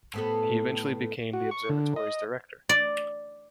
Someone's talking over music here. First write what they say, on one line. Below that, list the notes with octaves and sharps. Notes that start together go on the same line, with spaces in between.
He eventually became the observatory's director.
A2 B3 A4
F#4
C#6
D3
D#5
D5